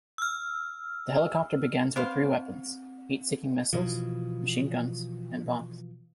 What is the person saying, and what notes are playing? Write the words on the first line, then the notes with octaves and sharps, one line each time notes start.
The helicopter begins with three weapons: heat-seeking missiles, machine guns, and bombs.
E6 F6
B3 C4 C5 F5
B2 E3 F3